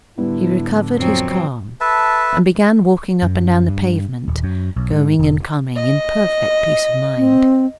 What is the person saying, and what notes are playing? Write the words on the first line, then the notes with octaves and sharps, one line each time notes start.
He recovered his calm, and began walking up and down the pavement, going and coming, in perfect peace of mind.
A2 D3 G3 B3 E4
F2 F3 F#3 C4
A4 B4 E5 A5
F#2
G2
D#1
F#2
B1
G#2
F1
D#5
C4